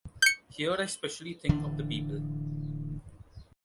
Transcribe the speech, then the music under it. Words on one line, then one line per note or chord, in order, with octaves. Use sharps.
Here I specially think of the people.
G6 C#7
D1 D3 E3 D4